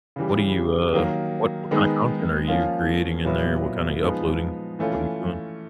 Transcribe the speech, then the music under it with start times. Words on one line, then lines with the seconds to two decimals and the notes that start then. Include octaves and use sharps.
What do you, uh, what what kinda content are you creating in there? What kind are you uploading? What are you doing?
0.16 C#3 E3 G3
0.93 D#3 F#3 A#3
1.71 D#3 G#3 B3 D#4
2.48 F3 A#3 C#4 F4
3.25 A#2 F#3 B3 E4
4.02 F3 G#3 B3 D#4
4.79 E3 A3 C#4 F4